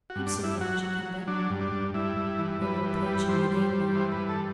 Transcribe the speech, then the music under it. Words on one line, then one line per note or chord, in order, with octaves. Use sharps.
"I'm so glad you come back." They were approaching the gate now.
F#4
G2
D4
G2
E4
F#3 F#4
F#3
F#3
F#3 D4
G2
D4
G2
G2 E4
G2
E3
G2 B4
E3
B4
G3
G2 C5
G3
C5
G2
E3 C5
B4
G2
A4